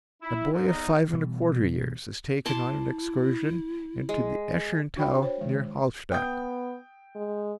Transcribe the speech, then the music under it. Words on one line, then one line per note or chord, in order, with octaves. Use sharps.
A boy of five and a quarter years is taken on an excursion into the Escherntal near Hallstatt.
E4
G#2
E2 D#4
B2 E3 G3
E4 A5 C6 D6
G#3
D4 F#4 C#5 G5 B5
C5 C#5
D#3 G#3
B3 G5 D#6 G6
G#3